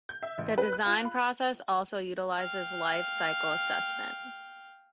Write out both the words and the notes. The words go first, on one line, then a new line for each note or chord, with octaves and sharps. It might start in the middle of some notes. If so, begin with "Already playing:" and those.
The design process also utilizes life cycle assessment.
G6
E5
A1
B4
F#6
F4
B5
F5 G5